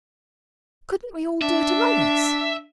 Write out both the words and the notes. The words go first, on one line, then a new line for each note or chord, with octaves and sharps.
"Couldn't we all do it among us?"
D4 E5